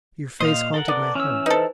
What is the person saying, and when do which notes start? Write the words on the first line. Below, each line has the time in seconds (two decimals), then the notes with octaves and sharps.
Your face haunted my heart.
0.40 A#2 C5 D#5 F5
0.74 A4 A#4 F#5
0.88 B3 D5
1.15 E3 C#4 E6
1.46 D#4 A4 B4 C5